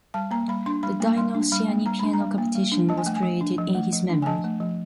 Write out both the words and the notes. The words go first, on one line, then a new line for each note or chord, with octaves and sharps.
The Dino Ciani Piano Competition was created in his memory.
G3 A5
A#3 A#5
G3 B5
D4 C6
G3 B5
A#3
G3 C6
D4
G3 B5
A#3
G3 A#5
D4 B5
A#5
G3
A#3
G3
D4
F3 A5
G#5
A3 G5
G#5
F3
D4
F3
A3
F3
D4
G#5
F3 A5
A3
F3